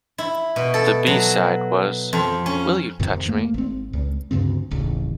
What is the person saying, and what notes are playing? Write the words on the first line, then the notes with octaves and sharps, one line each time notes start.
The B-side was "Will You Touch Me".
E4
B2
A4
F#3
F2
C#4
F2 G#2 C3 D#3
A3 A#3
G#1 C4
C#2
D2 G2 C#3 C4
D#1 A1 D#2 C#3